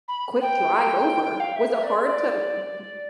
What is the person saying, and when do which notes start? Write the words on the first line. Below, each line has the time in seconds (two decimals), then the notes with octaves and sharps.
quick drive over, was it hard to n n n
0.08 B5
0.41 G5
1.24 G5
1.40 F5
1.56 E5
1.73 E5
1.83 D5
2.05 D5